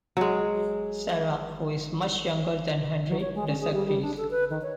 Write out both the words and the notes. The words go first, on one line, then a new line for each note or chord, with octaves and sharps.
Sarah, who is much younger than Henry, disagrees.
F#3 G#3
F#3
C#5
G#3
C#4
G#4
G3
G3
D4
A4
B4
D#3
C#5